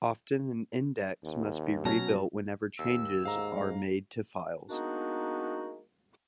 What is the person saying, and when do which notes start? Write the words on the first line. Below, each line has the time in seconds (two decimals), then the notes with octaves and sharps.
Often an index must be rebuilt whenever changes are made to files.
1.24 D#2
1.85 B2 F#3 C#4 A5 A#5
2.79 D#2 E6
3.25 G#2 F5 A#5
4.68 G#3 A#3 B3 D4 D#4 F#4